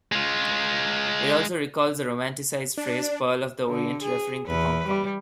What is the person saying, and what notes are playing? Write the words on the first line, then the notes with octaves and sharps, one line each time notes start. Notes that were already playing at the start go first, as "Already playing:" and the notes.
It also recalls the romanticised phrase "Pearl of the Orient" referring to Hong Kong.
G#3 F4
D4
D3
G#4
E2 B4
G3